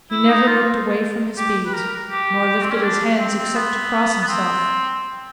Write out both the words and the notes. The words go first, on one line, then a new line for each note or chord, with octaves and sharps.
He never looked away from his beads, nor lifted his hands except to cross himself.
E4
D#4
F4
G4
B4
A#4
G4
C4
C#4
D4
C4
C4
B3
B3
C4